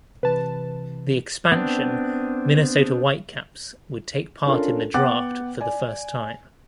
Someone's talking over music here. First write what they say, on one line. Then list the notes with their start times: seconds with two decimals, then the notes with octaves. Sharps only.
The expansion Minnesota Whitecaps would take part in the draft for the first time.
0.23 C3 E3 B4 A5
1.52 B3 C4 D4
4.46 C#4 D4 F4 A4 A#4
4.94 B3 F#5 G5 D6 F#6 A6
5.61 D5 G#5